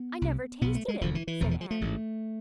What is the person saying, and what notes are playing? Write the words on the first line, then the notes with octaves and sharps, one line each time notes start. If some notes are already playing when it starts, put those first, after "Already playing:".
"I never tasted it," said Anne.
Already playing: B3
C2 C3
B1 B2 B3
A3
G#3
E1 D2 D3 F3
E3
E3
F1 E2 B2 F3
E3
F3
A3
A1 G#2